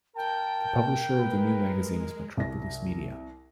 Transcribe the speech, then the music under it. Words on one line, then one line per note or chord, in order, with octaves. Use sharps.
The publisher of the new magazine is Metropolis Media.
A#4 G5 A5
G#3 B4
C2 A#6